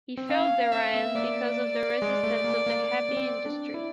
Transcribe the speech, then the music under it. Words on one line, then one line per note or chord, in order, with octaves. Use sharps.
He failed therein because of the resistance of the Heavy industry.
C4
C#4 F5
C#4
C4 E5
B3
A#3 D5
G#3
A3
A#3
A#3
B3
C4
D4
E4